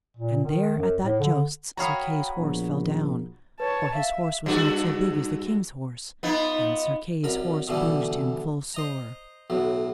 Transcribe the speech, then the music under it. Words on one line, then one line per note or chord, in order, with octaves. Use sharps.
And there at that jousts Sir Kay's horse fell down, for his horse was not so big as the king's horse, and Sir Kay's horse bruised him full sore.
A#2
D#3
F#2
A2
D3
F#4 C#5 F5 G5 A#5 B5 D#6
A#1 B3
B4 C#5 A5
E5 F5
G2 F#4 A4
B3 D#4 F4
C2 F#2 A#4 B5
B2 D3 E3 G3 A3
C5 D#5 A#5
B1 A2 F#3